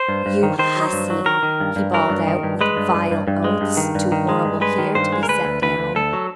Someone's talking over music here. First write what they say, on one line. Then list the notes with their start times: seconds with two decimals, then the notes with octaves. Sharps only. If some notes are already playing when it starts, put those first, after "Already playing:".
"You hussy!" he bawled out with vile oaths, too horrible here to be set down.
Already playing: C5
0.09 G2
0.26 G2
0.43 D#3
0.59 D#3 C5
0.77 F#3
0.93 G2
1.10 F#3
1.26 D#3 A#4
1.43 D#3
1.60 G2
1.76 G2
1.94 F#3 A#4
2.10 G2
2.27 D#3
2.43 G2
2.61 G#3 B4
2.77 G2
2.95 G2
3.11 G2
3.28 G2
3.44 G#3
3.61 G2
3.77 D#3
3.95 G2
4.12 D#3
4.29 G#3
4.45 G2
4.61 G#3 B4
4.78 D#3
4.95 G2 C5
5.13 G#3
5.23 A#4
5.29 D2 B4
5.45 D2
5.62 D2 B4
5.79 D2
5.95 D2 A4
6.13 F#3